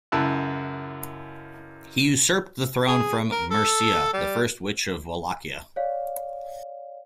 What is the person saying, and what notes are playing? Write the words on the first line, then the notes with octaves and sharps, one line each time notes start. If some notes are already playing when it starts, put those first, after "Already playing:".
He usurped the throne from Mircea the First of Wallachia.
C#2 F#2 E4 A5 E6 F#6
G#4
A#4
A4
G3
C#5 D5 F5